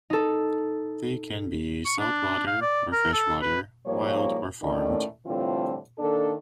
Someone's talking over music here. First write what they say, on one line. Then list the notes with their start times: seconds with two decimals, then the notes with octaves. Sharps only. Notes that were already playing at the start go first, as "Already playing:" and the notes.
They can be saltwater or freshwater, wild or farmed.
0.10 D#4 A4
1.85 C#6
1.99 D4
2.47 F5
2.62 D5
2.93 A#4
3.13 A4
3.42 B4
3.86 G#2 F3 G3 A#3 C#5
4.62 D#2 A2 D#3 A3 C#4 D5
5.26 A2 D3 E3 G3 C4 F4
5.98 D#3 A#3 D4 A4